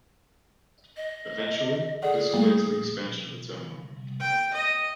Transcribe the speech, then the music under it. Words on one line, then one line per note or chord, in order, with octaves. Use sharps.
Eventually, this will lead to the expansion of the terminal.
D#5
G#4 A4 D5 F#5
G3 A3 A#3
G5
D#5